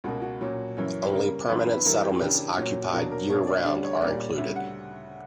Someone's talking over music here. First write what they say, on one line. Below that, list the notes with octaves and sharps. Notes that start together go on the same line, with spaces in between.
Only permanent settlements occupied year-round are included.
C#2 B2 A#3 F#4
F#4
A#2 F#3 C#4
F#2 E3 A#3 C#4
B4
C#3 G3 A#3 A#4
F#2 E3 B3 D4 B4
B4
B4
G2 E3 G3 A#3 A#4
G4
C#3 E3 A#3 D4 G4
A#2 F#3 C#4
B2 F#3 A#3 D4 A#4
A#4
B2 A#3 D4 C#5
D5
D2 D3 G3 C#4 D5
C#5
A#2 G3 A#3 C#4 D5
D2 C#3 G3 E5
F#5